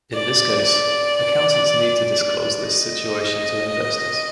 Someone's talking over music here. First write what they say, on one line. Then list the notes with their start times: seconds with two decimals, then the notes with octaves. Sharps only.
In this case, accountants need to disclose this situation to investors.
0.13 D5
0.54 D5
2.67 D#5